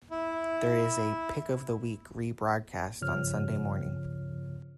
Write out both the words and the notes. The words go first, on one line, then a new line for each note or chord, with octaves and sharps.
There is a "pick of the week" re-broadcast on Sunday morning.
E4
G2 C#3 F3 C#5 F6